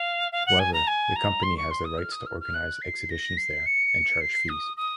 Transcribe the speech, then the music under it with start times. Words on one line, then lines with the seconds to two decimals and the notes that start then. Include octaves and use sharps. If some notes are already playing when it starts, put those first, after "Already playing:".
However, the company has the right to organise exhibitions there, and charge fees.
Already playing: F5
0.32 F5
0.46 F#5
0.59 G#5
0.73 A#5
0.87 G#5
1.16 A#5
1.43 C6
1.57 C#6
1.71 C6
1.85 D#6
1.98 F6
2.12 D#6
2.26 F6
2.40 F6
2.54 F#6
2.82 C7
3.10 A#6
3.37 C7
3.66 C#7
4.21 C7
4.49 D#6
4.77 D#6